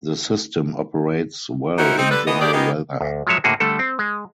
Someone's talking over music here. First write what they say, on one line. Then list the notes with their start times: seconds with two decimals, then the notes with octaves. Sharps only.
The system operates well in dry weather.
1.78 C#4 D#4 E4 F#4 A#4 C5
1.98 C4 D#4
2.11 D3 G3 A4 B4
2.26 E3 B3 D#5
2.40 F#2 D#3 G4 G#4 D5
2.53 D#3 G#3 A#3 B3 D#4 G4
3.01 D2
3.27 F3 F#3 G#3 C#5 E5
3.44 A2 D3 A#3 F#4 G#4
3.60 D3 G3 A3 A4
3.79 C4
3.99 G#3